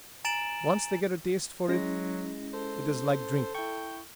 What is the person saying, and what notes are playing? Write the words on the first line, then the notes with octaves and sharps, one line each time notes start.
Once they get a taste for it it is like drink.
G#5 A#5 A6 D7 E7 F#7
F#3 G#3 C#4 E4 A#6
A4 C5
E4 G5 C#6